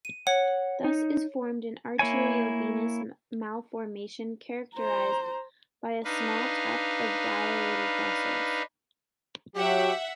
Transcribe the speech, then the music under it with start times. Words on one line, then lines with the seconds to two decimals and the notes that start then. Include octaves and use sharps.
Thus is formed an arteriovenous malformation characterized by a small tuft of dilated vessels.
0.05 D#7
0.27 C#5 F#5
0.84 D#4
1.99 A#3 E4 C#5 G#5
4.75 C5 A#5
6.05 D4 D#4 B4 F5
9.55 F#3 G4 E5 F#5